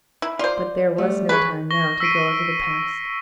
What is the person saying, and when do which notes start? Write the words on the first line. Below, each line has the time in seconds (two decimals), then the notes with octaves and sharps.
But there was no time now to go over the past.
0.22 E4
0.39 F4 C5 D5
0.98 G3 A3
1.29 E3 G#4 B4 C#5
1.71 C#6 A#6 G7
2.00 E6 B6 C7 D7 D#7